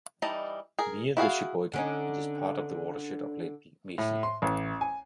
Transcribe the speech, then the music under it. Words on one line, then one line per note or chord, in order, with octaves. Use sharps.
Via the Sheboygan, it is part of the watershed of Lake Michigan.
E3 G3 D#4 D#5 A5
G#4 A#4
E4 F#4 G#4 F5
D3 C#4 D#4
A2
C6
A1
G#5